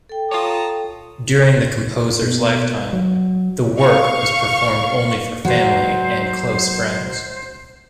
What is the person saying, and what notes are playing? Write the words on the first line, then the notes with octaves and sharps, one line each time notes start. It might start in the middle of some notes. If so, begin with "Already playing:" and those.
During the composer's lifetime, the work was performed only for family and close friends.
A4 G5
F4 C#5 A5 A#5 D#6
B2
F#3
F5 C#6
F#3 C5